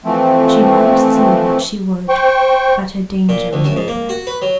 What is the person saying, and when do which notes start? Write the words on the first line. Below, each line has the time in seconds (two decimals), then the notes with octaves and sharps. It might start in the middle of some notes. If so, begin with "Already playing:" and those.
She might see what she would, but her danger was over.
0.05 E3 F3 A3 C4
2.09 C5 G5 C#6
3.29 A#2
3.53 D2
3.65 F#2
3.77 G#2
3.88 A#3
4.09 F#4
4.27 B4
4.42 F#3